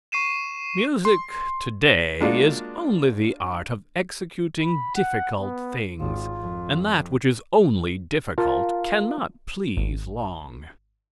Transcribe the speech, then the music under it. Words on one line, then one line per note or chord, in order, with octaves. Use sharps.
Music, to-day, is only the art of executing difficult things, and that which is only difficult cannot please long.
C#6 C7 D#7 E7
C6
G#3 A#3 D4 F4 F#4
B5
F#5
B3
G#1 F4
F2
F4 A#4 F5 A5
G#1